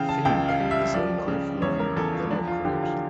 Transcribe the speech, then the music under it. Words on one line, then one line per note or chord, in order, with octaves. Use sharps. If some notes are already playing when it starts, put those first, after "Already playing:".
Fink is a lifelong Democrat.
Already playing: C#3 E3 F5 G5
A5
C#2 G5
F5
G3
E5
F3 D5
C#3
E2 C#5
A#4
E2 A4
F4
F3 D4
F4
D3 G4
F4